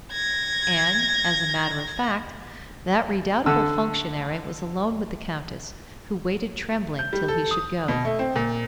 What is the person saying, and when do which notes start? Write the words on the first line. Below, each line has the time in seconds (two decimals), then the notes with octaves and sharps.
And, as a matter of fact, that redoubtable functionary was alone with the Countess, who waited trembling till he should go.
0.11 G#6 A#6
3.46 D3 A4 E6
6.99 G6
7.13 G3
7.28 A4
7.51 D#6
7.88 B2
8.05 A3
8.19 C4
8.36 A#2